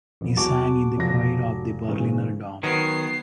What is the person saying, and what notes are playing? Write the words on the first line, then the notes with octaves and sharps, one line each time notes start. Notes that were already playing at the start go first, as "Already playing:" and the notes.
He sang in the choir of the Berliner Dom.
A1 F2
E2 F#3 F#4 A5 D6
F1 F3 A#6
G#2 C#3 E3
D#3 F#3 B3 C7